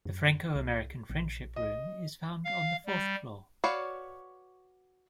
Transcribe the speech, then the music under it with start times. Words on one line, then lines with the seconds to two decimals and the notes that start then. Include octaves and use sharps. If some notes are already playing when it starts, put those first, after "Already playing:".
The Franco-American friendship room is found on the fourth floor.
0.05 F#2
0.55 C2
1.10 A#1
1.56 D#5
2.44 F5
2.86 G3
3.64 F#4 B4 C#5 D5 F5